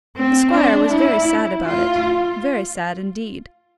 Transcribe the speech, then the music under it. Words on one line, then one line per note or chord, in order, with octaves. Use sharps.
The squire was very sad about it,--very sad indeed.
C4
D4
E4
F4